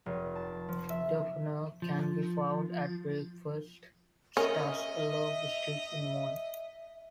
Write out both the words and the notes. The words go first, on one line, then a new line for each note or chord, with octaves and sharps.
Doufunao can be found at breakfast stands along the streets in the morning.
F1
A5
F3
E5
F3
C#4 G#4 A#4 D#5 E5